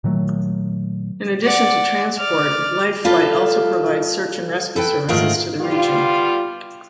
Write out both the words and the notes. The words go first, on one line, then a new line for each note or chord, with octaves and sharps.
In addition to transport, Life Flight also provides search-and-rescue services to the region.
A#2 D#3 F#3 A3
D5 F#5
D5 F6
G3 F4 A4 B4
A4 B4 G5
G#2 D#3 A3 F4 A#4 F#5
G3 B3 F4